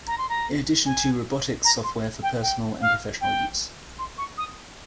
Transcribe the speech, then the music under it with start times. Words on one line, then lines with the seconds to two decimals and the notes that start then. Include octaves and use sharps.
In addition to robotics software for personal and professional use.
0.07 A#5
0.18 C6
0.29 A#5
0.86 G#5
1.64 A#5
1.84 C6
2.23 G5
2.42 G5
2.81 F5
3.21 G5
3.99 C6
4.18 C#6
4.38 D#6